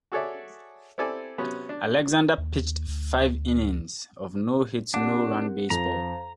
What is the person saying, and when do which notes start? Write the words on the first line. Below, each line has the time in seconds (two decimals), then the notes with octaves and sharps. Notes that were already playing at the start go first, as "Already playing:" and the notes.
Alexander pitched five-innings of no-hit no-run baseball.
0.12 F#4 G#4 A4 C#5 D5 E5
0.98 C4 E4 G4 A4 D5 G#5
1.38 C3 F#3 B3 C#4
1.69 D4
2.38 D#2
2.88 D2
4.94 C4 D4 G4 A#4 F#5
5.70 F2 C5 F5 A#5